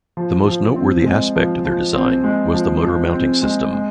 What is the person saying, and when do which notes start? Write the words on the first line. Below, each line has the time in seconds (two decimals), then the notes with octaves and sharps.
The most noteworthy aspect of their design was the motor mounting system.
0.17 F3
0.47 F3
0.76 C4
1.06 G#3
1.36 F3
1.65 F3
1.94 C4
2.24 G#3
2.53 F3
2.83 F3
3.12 C4
3.42 G#3
3.72 G#3